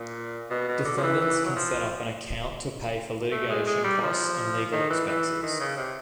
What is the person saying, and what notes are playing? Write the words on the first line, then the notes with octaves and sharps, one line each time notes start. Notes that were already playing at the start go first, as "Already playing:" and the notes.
Defendants can set up an account to pay for litigation costs and legal expenses.
Already playing: A#2
B2
B2
D3
F3
E3
E3
F#3
F3
A3
G#3
G#3
G3
F3
D#3
E3
E3
D#3
C#3
C3